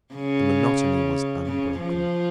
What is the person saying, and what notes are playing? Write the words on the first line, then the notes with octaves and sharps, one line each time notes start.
The monotony was unbroken.
C#3
C#3
F3